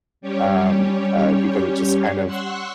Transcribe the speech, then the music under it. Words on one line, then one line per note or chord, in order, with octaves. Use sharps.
um, uh, because it just kind of
G3 C#4 G4 C#5
F#5 C6 C#6 E6 F#6